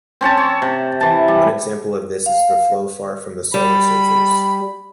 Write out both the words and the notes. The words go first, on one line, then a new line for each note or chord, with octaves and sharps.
One example of this is the flow far from solid surfaces.
C4 C#4 C#5 A5
C#5
C3
E3 A5
G3
F5
G3 B5